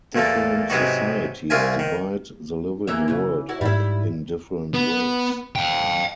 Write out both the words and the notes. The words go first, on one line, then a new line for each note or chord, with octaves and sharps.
Different societies divide the living world up in different ways.
E2 A#2 A3 A#3
G#2 C3 F#3 B3 D#4 F#4
C2 F4 A#4 E5 G#5
D#3
E3 A#3 E5
C#3 E3
E4 F#4
G#2 G3 E4
B3
F5 G5